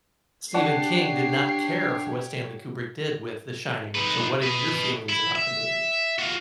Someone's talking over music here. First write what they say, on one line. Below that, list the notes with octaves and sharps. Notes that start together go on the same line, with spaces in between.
Stephen King did not care for what Stanley Kubrick did with The Shining, so, what are your feelings about the movie?
D4 G4 C#5 D5 F#5 A5 C7
D#4 B4
B4 D#5
E4
E5
F4 F#4